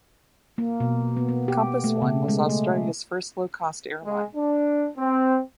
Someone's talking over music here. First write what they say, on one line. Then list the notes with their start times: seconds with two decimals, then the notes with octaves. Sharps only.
Compass I was Australia's first low cost airline.
0.58 A#3
0.80 B2
1.17 B3
1.28 B3
1.48 G4
1.84 A3
2.02 C#3
2.28 G#3
2.49 A3
4.03 G#3
4.35 D4
4.97 C4